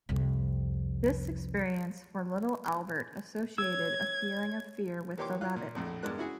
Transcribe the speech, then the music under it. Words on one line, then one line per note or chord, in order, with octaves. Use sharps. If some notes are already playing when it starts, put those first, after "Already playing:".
This experience for Little Albert associated a feeling of fear with the rabbit.
C2 F2
C#5 E6 G#6
E3 A#3 G4 C#5 C6 D6
F4 F#6
A#2
A#1 F2 A2
E2 G2 G#3 A#3 F#6
C#4 E4 F#4 G#4